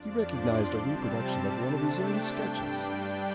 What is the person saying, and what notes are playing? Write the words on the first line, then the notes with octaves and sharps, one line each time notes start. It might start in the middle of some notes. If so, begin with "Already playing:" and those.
He recognised a reproduction of one of his own sketches.
Already playing: F2 F3 D4 D5
C6
C3 G3 C4 A5
C3 A3 D4 A5
G5
G2 G3 D4 G5
D5